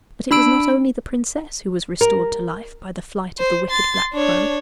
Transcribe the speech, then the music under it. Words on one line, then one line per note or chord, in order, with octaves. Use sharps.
But it was not only the princess who was restored to life by the flight of the wicked black crow.
D4 B5 E6 D7
A#4
C5
C6 A6
D4 C#5